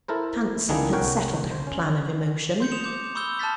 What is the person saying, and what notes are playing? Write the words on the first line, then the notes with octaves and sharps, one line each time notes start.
Fancy had settled her plan of emotion.
E4 A4 A#4 C5
C#2 D#3 A#3 D4 E4 G#4
C2 F#4 A#4 C#5 G5
C5
C#4
C6 G6 C#7
D#6 E7 F7
D6 G6
B5 C#6 D#6 E6 G6 G7
A5 D#6 F6 A6 B6